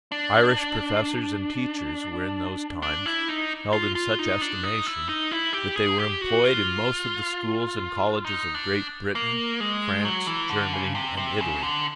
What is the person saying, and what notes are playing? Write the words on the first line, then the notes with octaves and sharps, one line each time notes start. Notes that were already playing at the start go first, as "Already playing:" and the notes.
Irish professors and teachers were in those times held in such estimation that they were employed in most of the schools and colleges of Great Britain, France, Germany, and Italy.
D4
D4
E4
D#4
F4
F4
D#4
D4
D#4
E4
D#4
E4
G4
G#4
G4
F#4
F4
D#4
D4
A#3
G#3
F#3
E3
D3
C#3
C3
C3
C#3
D3